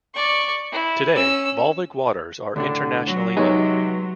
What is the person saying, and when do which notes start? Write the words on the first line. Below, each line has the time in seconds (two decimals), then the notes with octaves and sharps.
Today, Volvic waters are internationally known.
0.14 D5 C#6
0.72 E4
1.15 C#4 E6
2.56 D2 A2 D3 D4
3.06 F#3
3.37 C3 G#3 B3 D#4 G#4 C#5